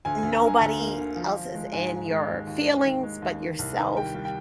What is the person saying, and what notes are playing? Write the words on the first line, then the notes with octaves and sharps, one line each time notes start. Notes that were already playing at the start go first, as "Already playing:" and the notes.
nobody else is in your feelings, but yourself.
D2 G#5
D2 G#5
A#5
D3 G#5
D2 A#5
A#3
D3
F3
F3
G#3
G#2 G#5
G#2
G#3
D#2
D#2
D#3
D#2
G#3
D#2
D#3
C2
D#3
G3 G5
G3
G5